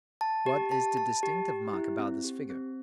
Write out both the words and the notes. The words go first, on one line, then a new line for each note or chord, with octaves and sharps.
What is the distinctive mark about this figure?
A5
G4
A5
A5
G4
G4
E4
C4
G4
C4